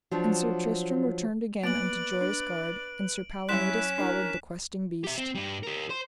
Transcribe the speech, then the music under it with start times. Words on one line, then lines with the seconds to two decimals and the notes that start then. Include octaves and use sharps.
And Sir Tristram returned again unto Joyous Gard, and Sir Palomides followed the Questing Beast.
0.11 F3 F#3 D4
1.64 A#3 B3 B4 D5 D7 F#7
2.21 D4
3.49 F#3 C#4 E4 F#5 C6 F#6 B6 E7
3.98 D4 E4 A#4
5.04 G4 E5
5.18 C4
5.35 G2 G3
5.63 G4 A#4
5.90 C5 C6